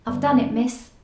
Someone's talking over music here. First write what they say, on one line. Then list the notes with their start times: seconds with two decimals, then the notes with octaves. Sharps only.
'I've done it, miss.
0.08 G2 D3 B3
0.22 C#4
0.36 C#4
0.50 D4